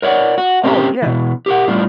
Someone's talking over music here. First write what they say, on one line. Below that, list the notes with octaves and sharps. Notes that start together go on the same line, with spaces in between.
Oh, yeah.
A#4 C#5 D5 F#5
F#4
A#3 C4 C#4 F4 G4
B2 E3
G4 A#4 F#5
A2 G3 D4 F4